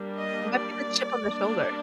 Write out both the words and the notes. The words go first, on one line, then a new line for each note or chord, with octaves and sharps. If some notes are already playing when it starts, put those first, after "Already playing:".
It might be the chip on the shoulder.
Already playing: G3 A#3 D4
D#5
D5
G3 A#3 D4